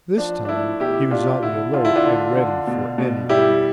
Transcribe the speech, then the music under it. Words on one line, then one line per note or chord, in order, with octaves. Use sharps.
This time he was on the alert and ready for any argument.
F3 D4
D4
A3 E4
B2 E4 G4
B2 D4 F4
D3 E4
D3 F4
E4
D4 F4
D3
D3
B2
B2
G3 E4 G4